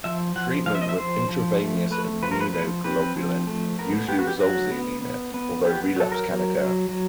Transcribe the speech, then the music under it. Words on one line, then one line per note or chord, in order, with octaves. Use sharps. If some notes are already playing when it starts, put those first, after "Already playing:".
Treatment with intravenous immunoglobulin usually resolves the anemia although relapse can occur.
F3 E5
F3 F#5
F3 F5
E5
D#5
E5
F3 C5
F3
A3
A3 B4
F3 B4
A#4
B4
F3 B4
C4 B4
F3
A3
B3 A#4
B3 G4
F#4
G4
F#3 F#4
B3
B3
B3
B3 G4
F#3 A4
A#4
F#3
F#3
F#3